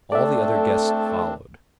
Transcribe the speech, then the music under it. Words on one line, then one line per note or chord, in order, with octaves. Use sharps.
All the other guests followed.
A3 C4 D4 A4 D5 E5